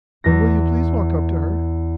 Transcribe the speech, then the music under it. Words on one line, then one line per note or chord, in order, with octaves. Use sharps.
"And will you please walk up to her?"
E2 A#6